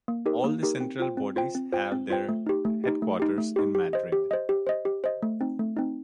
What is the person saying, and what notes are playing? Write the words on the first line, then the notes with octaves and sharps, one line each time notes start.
All the central bodies have their headquarters in Madrid.
A#3
D#4 G4 A#4
A#3
D#4 G4 A#4
C4
F4 C5 G5
C4
F4 C5 G5
C4
F4 C5 G5
C4
F4 C5 G5
A3
D#4 G4
A3
D#4 G4
A3
D#4 G4
A3
D#4 G4
G4
C5 D#5
G4
C5 D#5
G4
C5 D#5
G4
C5 D#5
A3
C4 D#4
A3
C4 D#4